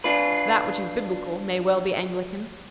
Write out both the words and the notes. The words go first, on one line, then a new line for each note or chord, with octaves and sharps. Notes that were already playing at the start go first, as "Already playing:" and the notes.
That which is biblical may well be Anglican.
D4 F4 B4